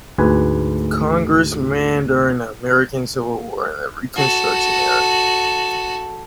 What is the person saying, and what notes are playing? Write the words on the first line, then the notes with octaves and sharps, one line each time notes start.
Congressman during the American Civil War and the Reconstruction era.
D2 G#2 B4 G#5
F#4 A4